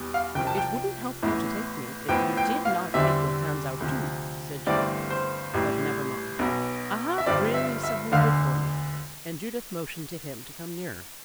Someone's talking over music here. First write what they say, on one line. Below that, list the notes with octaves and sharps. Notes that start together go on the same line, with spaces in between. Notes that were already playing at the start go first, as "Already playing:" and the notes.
"It wouldn't help you to take me, if you did not take your hands out too," said Judith, "but never mind, I have really something good for you," and Judith motioned to him to come nearer.
Already playing: E2 B2 G3
F5
C2 C3 F3 G5
A5
G5
A1 A2 E3 B3
A1 A2 F3 B3 G5
G5
F5
E2 D3 G3 C4 E5
D2 C3 F3
G1 G2 E3 A3 C4 D5
C5
A1 A2 G3
B1 B2 B3
E5
G1 G2 F3 C4 D5
E5
E5
E1 D2 D3 F5